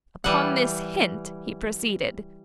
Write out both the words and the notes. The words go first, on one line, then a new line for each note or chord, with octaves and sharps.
Upon this hint he proceeded.
E3 G3 F#5